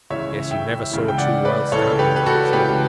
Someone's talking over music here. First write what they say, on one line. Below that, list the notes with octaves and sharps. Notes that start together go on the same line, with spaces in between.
"Guess you never saw two wild stallions mix it up."
C#2 C#3 E3 C#5 E5
E5 G5
C#2 C#3 E3
G5
D5 F#5
B4 D5
C#2 C#3 E3 A4 C#5
G4 B4
B4
F#4 A4
C#2 C#3 E3 G4 B4